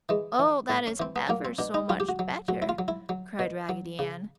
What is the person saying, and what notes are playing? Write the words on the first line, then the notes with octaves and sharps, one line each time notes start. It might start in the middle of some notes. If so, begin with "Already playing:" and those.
"Oh that is ever so much better!" cried Raggedy Ann.
E3 G#3
E3
A2
C#4
E3 C4
B3
F#3 A#3
C4
B2 D4
D#4
F#3 F4
G4
F#4
F#3
F#3 F#4
E4
F4
F#3
E4
F#3
B2
F#3
C#3